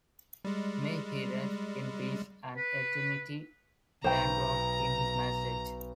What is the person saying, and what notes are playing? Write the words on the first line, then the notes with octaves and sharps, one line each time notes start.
May he rest in peace and eternity, Ban wrote in his message.
G3 G#3
B4
B1 B2 C5 G5 A#5 G6